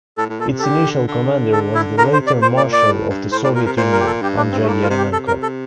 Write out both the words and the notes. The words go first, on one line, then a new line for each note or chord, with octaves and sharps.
Its initial commander was the later Marshal of the Soviet Union, Andrei Yeremenko.
A2 A4
A2
A#2 A4
C3
A4
D3 G4
D3
A4
E4
D3 A#4
C5
C3
D5
A#2 C5
D5
D5
A2
G2
A2 C5
A2 D5
A#2 A#4
C3 A#4
A#2 C5
A#4
G4
A4
G2 G4
D4
C4
A3
A2 A#3
F4
C3
G4
C3 A4
A#4
A4